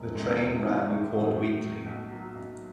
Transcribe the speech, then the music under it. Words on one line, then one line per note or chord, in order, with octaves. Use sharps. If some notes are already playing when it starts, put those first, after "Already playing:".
The train ran quad-weekly.
Already playing: E1
E2 C#3 E3 G#3
E1
E2 C#3 E3 G#3
A2
F#3 A3
A2
F#3 A3
B1
A#2 F#3 A#3
B1